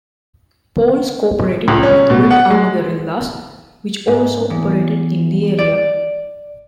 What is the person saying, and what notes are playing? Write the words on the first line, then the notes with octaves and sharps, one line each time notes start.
Poles cooperated with Red Army guerillas, which also operated in the area.
C#2
C#4
B2
F#5
G#3
G#2
E2
D5